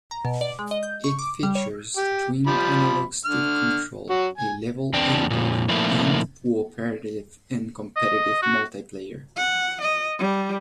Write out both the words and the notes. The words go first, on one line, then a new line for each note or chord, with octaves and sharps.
It features twin analogue stick control, a level editor and co-operative and competitive multiplayer.
A#5
B2
D5
G#3
D#5
G6
C#6
D6
G3
C#5
G4
F3 G3 B5
D3 F6
F#3 F#4
G#5
E2 C4 D4 G5
F2 A#2
A#2 D#3 F3 A3 A#3 E4
D#5
F#4
F#5
D#5
G3